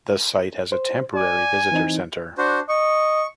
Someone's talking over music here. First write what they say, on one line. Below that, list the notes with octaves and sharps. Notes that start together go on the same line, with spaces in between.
The site has a temporary visitor center.
C5
D5 G#5 D6
E3 C4 D#4
D4 F#4 C5
D#5 C#6